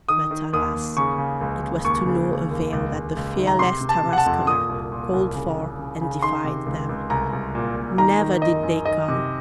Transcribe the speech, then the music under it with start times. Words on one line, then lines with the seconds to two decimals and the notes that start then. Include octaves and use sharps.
But, alas!! it was to no avail that the fearless Tarasconer called for and defied them; never did they come.
0.09 D#3 D#6
0.31 D#3
0.53 D#2 D#6
0.74 D#2
0.97 C#3 C#6
1.18 C#3
1.41 C#2
1.63 C#3
1.84 D#2 C#6
2.06 C#3
2.29 D#2
2.50 D#2
2.73 C#2
2.94 C#2
3.16 C#2
3.38 D#3
3.47 A#5
3.59 C3 C6
3.81 C3
3.89 A5
4.03 C3
4.13 F#5
4.18 A5
4.26 F2
4.47 A#2 D#6
4.69 C2
4.92 A#2
5.13 C2
5.35 C#3
5.57 C#3
5.79 C#3
6.01 C#3
6.22 D#3 C6
6.44 C3
6.66 C#2
6.89 C#2
7.10 C2 A#5
7.33 C2
7.55 A#2
7.76 A#2
7.98 D#3 A#5
8.21 D#3
8.42 F#2 D#5
8.63 F#2
8.85 D#3 D#5
9.08 C3